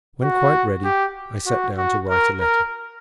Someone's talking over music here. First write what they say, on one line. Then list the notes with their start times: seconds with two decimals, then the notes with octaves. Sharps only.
When quite ready, I sat down to write a letter.
0.22 F#4
0.85 G4
1.46 F#4
1.78 F#4
2.09 A#4
2.40 A#4